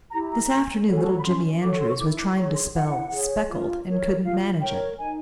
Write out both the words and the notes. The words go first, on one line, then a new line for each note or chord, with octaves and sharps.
This afternoon little Jimmy Andrews was trying to spell 'speckled' and couldn't manage it.
E4 G4 A#5
A#5
C#4
F#4 A4 C#5
G#5
A5
A#5
B5
C#4 C6
F#4 A4 C#5 D6
C#6
C6
C#6
E4 D6
D6
G#4 C#5 C#6
C6
E4 F#5
G#4 C#5
F4
A#4 C#5
F4 F5
A#4 C#5 G5
D#4 G#5